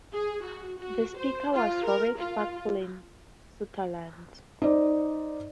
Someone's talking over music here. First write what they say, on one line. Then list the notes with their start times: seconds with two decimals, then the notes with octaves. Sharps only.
The Speaker was Robert Franklin Sutherland.
0.12 G#4
0.44 F#4
0.79 F#4
1.17 C5
1.54 F4
1.86 A#4
2.18 F4
4.62 D#4 C5 D5